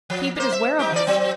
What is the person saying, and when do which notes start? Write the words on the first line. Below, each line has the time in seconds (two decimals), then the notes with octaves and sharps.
Peep at his wearables.
0.10 F3
0.36 A#3 C5
0.52 E5
0.79 D#4 G4
0.92 E3 D5
1.07 F#3 C4